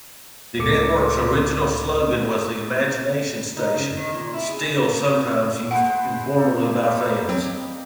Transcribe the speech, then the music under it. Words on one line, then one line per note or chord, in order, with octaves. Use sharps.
The network's original slogan was "The Imagination Station", still sometimes used informally by fans.
C#2 A2 A4 D6 C#7
D#4
C#3
D#3
A#2
E4
G#4
G#3 B4 C5 F#5
A#3 D#4 A4
G3 G4
F#3 C4